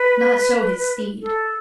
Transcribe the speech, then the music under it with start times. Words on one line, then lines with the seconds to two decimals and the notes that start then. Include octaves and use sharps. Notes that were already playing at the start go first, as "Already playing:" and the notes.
Not so his steed.
Already playing: B4
1.22 A4